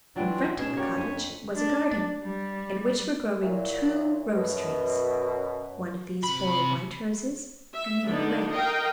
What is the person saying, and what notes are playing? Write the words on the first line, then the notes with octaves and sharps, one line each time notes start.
In front of the cottage was a garden, in which were growing two rose trees; one of these bore white roses, and the other red.
E3 F#3 D4 F4 F#5 G5 D7
B2 C#4 D#4 G#4 G#6 E7
A#3 F#4 G4 C#5 D5
F2 D4 B6 D#7
D4
G3
A#2 F#3 E4
F#2 B2
C3 B5
E5
D3 B3 D4 D#4
A#4 D#5 F5 G5